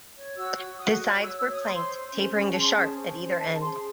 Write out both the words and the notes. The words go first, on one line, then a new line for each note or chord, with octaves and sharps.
The sides were planked, tapering to sharp at either end.
C#5
F#4 E6
F#4
F#4 D#6
C#5
C#5 E6
E6
C#5
D#6
C5 C6
C5
C#4
C#4
G#4 A5
C6
A5
C#4
C5
C#4
C6
G#4 A5
A5
G#4 C6